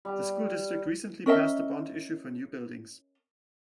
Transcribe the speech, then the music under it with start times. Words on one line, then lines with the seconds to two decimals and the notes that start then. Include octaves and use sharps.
The school district recently passed a bond issue for new buildings.
0.05 G3
1.26 C#4 A#4 D#5 E5